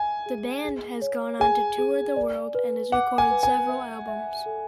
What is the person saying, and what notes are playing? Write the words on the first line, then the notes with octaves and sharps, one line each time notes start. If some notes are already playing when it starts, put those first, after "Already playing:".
The band has gone on to tour the world and has recorded several albums.
Already playing: E5 G#5
G#4
G#4
C#5
G#4 G#5
G#4
D5
B4
F#5 D6
G#5
B4
G#5
E5
E5
A4